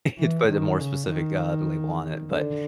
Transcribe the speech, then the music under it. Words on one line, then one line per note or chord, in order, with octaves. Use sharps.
to put a more specific, uh, label on it. But
E3
D#3
C#3
D#3
D3